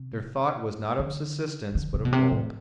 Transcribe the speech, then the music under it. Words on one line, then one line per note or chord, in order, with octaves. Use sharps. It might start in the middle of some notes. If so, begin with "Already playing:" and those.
Their thought was not of subsistence, but of gold.
Already playing: C3
D3
D3
C3
B2
C3
A2